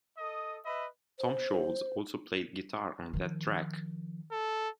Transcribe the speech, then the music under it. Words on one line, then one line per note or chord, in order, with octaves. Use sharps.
Tom Scholz also played guitar on that track.
A4 D#5 D#6
B4 D#5 E5 B5
C5
D#3 F3
A4